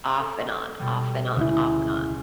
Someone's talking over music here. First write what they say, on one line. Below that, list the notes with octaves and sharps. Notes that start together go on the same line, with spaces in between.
Off and on, off and on, off and on,
A4
B2 G3
D2 C#3 G#3 E4